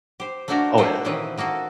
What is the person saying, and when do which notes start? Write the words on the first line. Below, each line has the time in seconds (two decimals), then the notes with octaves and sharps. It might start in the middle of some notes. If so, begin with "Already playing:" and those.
Oh, yeah.
0.20 G4 C5
0.48 A3 A#3 D4 F#4 A4 A#4
0.78 F#4 G4 A4 B4 C5 G5
1.05 A#2 D#3 E3 C4 C#4 B4
1.38 D#3 A#3 F#4 A4